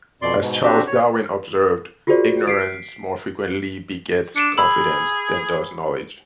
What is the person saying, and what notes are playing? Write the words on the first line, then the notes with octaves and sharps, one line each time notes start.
As Charles Darwin observed, ignorance more frequently begets confidence than does knowledge.
F2 B2 D5 C6
G#2 B2
C4 D4 F#4 G4
C#5
F4 F#4 G#4 A#4 C5 D5
B6 C7 D7
D4 C#7 D7 E7
G#4 B5 E6 F#7